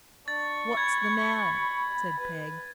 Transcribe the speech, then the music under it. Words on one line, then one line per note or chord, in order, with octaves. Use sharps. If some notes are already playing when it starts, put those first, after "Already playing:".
'What's the matter?' said Peg.
D4 C#6 A6
B5 G#6
B4